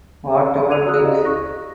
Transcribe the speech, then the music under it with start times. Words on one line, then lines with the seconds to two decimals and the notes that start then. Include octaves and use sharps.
What About Dick?
0.69 F#6 G#6 D#7 F7
0.86 F#4 A#5 D#6 E6 F#6
1.02 E4 G4 C5 D5 D#5 F5
1.25 C#6 F#6 A#6